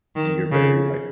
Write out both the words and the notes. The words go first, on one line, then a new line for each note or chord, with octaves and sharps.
And you're very like
D#3
C#3